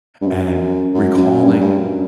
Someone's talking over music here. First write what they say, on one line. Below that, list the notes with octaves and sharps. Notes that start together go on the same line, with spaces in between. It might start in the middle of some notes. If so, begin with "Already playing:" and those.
and recalling
G2
F#2
F#2
F#2
G2
G2
F#2